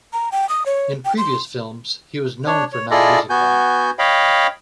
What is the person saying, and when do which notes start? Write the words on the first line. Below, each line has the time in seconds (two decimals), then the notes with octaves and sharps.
In previous films, he was known for not using them.
0.13 A#5
0.32 G5
0.49 D#6
0.66 C#5
1.05 G5
1.18 C6
2.47 D4 C#5
2.73 C#5
2.91 E4 F4 G#4 A4 D5 D#5
3.30 B3 F#4 G#5 G6
3.99 C#5 D#5 F5 G5 B5